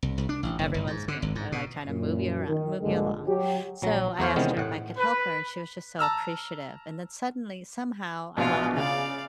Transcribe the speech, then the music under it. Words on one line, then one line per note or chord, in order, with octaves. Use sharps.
everyone's standing, their like, kinda move you around, move you along. So, I asked her if I could help her, and she was just so appreciative, and then suddenly, somehow, I wound up
C2
C2
D4
A1
F#1
G1
G#2
D3
G#1
G#2
B2
F#2 A#2
D#3
A#1 G2 D3 G#3
F#3 G4
A#1 F#3 A#5
E2 A3 E4 C5 C#5 F5
C3 D#3 E3 G#3 B3 C#4
A2 F#5
B4
A5 A#5 E6 F6
A#1 B2 G#3 F4
C#3 D5 F5